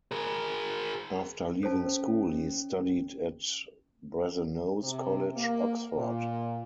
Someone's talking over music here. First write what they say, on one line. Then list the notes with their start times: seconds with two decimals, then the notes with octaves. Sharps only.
After leaving school he studied at Brasenose College, Oxford.
0.12 G#4 A#4
1.63 C#4 A4 C5 A5
4.81 C3
5.36 A#3
5.97 A#2